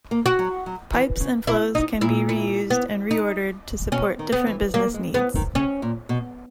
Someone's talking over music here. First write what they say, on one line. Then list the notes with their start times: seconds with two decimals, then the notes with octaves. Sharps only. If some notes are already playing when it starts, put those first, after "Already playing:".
Pipes and flows can be reused and reordered to support different business needs.
0.11 A#3
0.26 F#4
0.39 F#3
0.66 F#3
0.93 E3
1.20 C#3
1.47 B2 E4
1.75 B2 D#4
2.01 A#2 E4
2.29 E4
2.70 B3
3.11 D#4
3.92 B2 C#4
4.19 D#3
4.32 B3
4.47 E3
4.74 F#3 A#3
4.94 G#3
5.14 E3 B3
5.35 D#3
5.55 C#3 C#4
5.82 A#2
6.09 B2